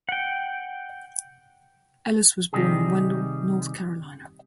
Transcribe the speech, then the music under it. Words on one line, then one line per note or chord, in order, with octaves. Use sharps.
Ellis was born in Wendell, North Carolina.
F#5 G5
C3 D#3 G3 G4 G#4